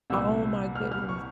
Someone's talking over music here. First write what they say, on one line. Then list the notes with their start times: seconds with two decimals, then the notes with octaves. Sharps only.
Oh my goodness.
0.10 C2 A#2 G3 B3 E6
0.75 F6
0.92 F6
1.09 C#6